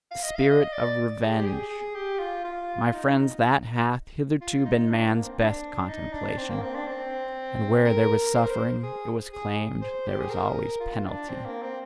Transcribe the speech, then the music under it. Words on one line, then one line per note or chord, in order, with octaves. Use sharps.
THE SPIRIT OF REVENGE: my friends, that hath hitherto been man's best contemplation; and where there was suffering, it was claimed there was always penalty.
F5
D#5
F5
D#5
D5
G#4
G4
G#4
G#4
G4
F4
F4
D#4
F4
D#4
D4
A#3
C4
D4
D#4
D4
C4
A#3
C4
D4
C4
A#4
C5
A#4
C5
G#4
G#4
C5
G4
G#4
A#4
F4
D4
C4
A#3
C4